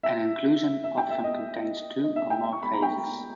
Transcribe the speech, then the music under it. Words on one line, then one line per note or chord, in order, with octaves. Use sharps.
An inclusion often contains two or more phases.
E5
E5
G5
E5
D#5
D#5
E5
G5
C#6
B5
A#5
G5